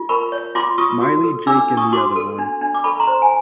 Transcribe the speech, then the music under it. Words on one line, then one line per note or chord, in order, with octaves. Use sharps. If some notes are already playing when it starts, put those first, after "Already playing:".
Miley, Jake, and the other one.
Already playing: F4
A#4 B5 C#6
C#5
F4 C6 D6
F4 C#6 D#6
F#4
A4
D4 D6 E6
D4
C#6 D#6
F#4 C6 D6
A4
D4
D4
D6
A4 B5 C#6
A#5 C6
C5
G#5